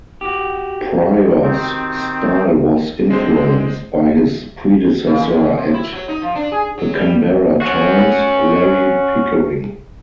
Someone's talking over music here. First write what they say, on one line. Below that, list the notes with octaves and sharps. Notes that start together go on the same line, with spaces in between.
Pryor's style was influenced by his predecessor at "The Canberra Times", Larry Pickering.
F#4 G4
D#3 C4
D3 G#3 C4 C5
C#3
F#2
C3
E4
F#3
D#4
F3
D4
G#4
F#3
G3
C#4 F#4